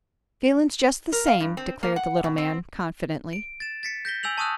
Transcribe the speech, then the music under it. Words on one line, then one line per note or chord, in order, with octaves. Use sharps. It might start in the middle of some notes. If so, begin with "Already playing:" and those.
"Feelin's jest the same," declared the little man, confidently.
A#4
F5
G2
C4
A#3
F#5
B2
C4
D7
A6 E7
A6 B6 C#7
G6 A#6 B6 G7
G#5 E6 G6 F7 F#7
A5 C#6 D#6 E6 F#6